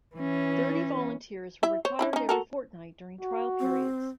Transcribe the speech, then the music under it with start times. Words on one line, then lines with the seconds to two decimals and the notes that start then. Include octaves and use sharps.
Thirty volunteers were required every fortnight during trial periods.
0.16 E3 C#4
1.63 E4 E5
1.85 C5 C#5
1.99 D4 E4 B5
2.13 C#4 D#4
2.29 F#4 A4 A#4
3.21 F#4
3.60 C4